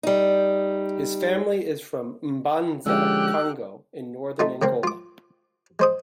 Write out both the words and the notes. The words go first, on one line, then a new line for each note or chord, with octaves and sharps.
His family is from M'banza-Kongo in northern Angola.
G3 D#4
D3 F3 G#3 C#4 G4 E6 F#6
A3 D#4 F4
C#3 A#3 C4
F4 D6
G#3 C5 D#6